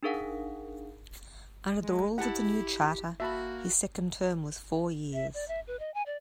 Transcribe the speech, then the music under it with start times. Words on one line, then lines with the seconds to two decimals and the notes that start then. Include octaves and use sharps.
Under the rules of the new charter, his second term was four years.
0.03 D4 D#4 G#4 A#4 F5 F#5
1.81 G#3
2.18 E4 G4 F#5 A5
3.20 A#3 F#4 E5 A5 B5
5.13 E5
5.34 D5
5.48 E5
5.67 B4
5.79 D#5
5.94 G#5
6.06 D5